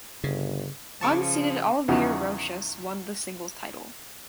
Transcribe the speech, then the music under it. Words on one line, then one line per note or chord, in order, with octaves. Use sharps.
Unseeded Olivier Rochus won the singles title.
G1 C#3
C#3 F3 A5 C#6 D6
E2 C#3 F3 D#4 F#4